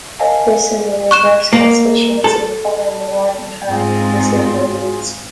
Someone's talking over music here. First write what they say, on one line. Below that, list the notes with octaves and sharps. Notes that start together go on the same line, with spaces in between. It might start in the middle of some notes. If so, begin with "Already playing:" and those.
This is a diverse constituency covering the northern half of the City of Leeds.
A#4 C#5 D#5 F5 G#5 A5
C#6 F#6 E7
A#3
A4
G#2 C4 F4 G#4